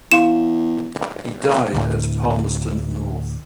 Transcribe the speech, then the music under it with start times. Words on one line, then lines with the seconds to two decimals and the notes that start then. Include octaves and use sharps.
He died at Palmerston North.
0.12 E2 E4 F5 C6 E7
1.73 D2 A2